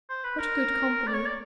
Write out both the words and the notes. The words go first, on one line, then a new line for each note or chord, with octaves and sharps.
What good company!
C5
B4
A#4
D5
C#5
D5